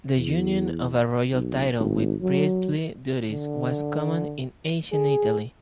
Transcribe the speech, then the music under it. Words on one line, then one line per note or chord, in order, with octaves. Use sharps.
The union of a royal title with priestly duties was common in ancient Italy.
E2
B1
G#1
F#3
D3
G#4